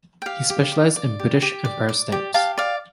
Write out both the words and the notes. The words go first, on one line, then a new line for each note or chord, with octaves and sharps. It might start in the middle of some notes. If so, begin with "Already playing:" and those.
He specialised in British Empire stamps.
G5
G4 F5
G4
D5
D5
G4
G4
D5
D5
G4
G4 F5 A5
D5 F5